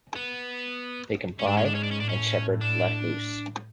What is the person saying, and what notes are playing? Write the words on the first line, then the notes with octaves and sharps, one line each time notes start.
They complied and Shepard let loose.
B3
G#2 C#4
D4
C#4
D4
C#4
D4
C#4
A2 D4
C#4
D4